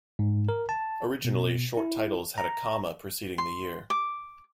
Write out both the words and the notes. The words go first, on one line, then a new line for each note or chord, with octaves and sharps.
Originally short titles had a comma preceding the year.
G#2
A#4
A5
B2
E4
A#5
C6
D6